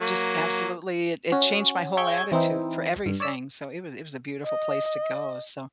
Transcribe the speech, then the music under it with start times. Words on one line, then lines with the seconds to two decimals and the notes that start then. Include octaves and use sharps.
just absolutely, it it changed my whole attitude for everything, so, it was it was a beautiful place to go. So,
0.01 F#3 A#3
1.32 C#4 F#4
1.97 G#4 C#5 E5 G5 G6 G#6
2.32 E3 C4 D#4 E4
3.06 G2
3.20 C#5 D5 E6 B6
4.42 D#5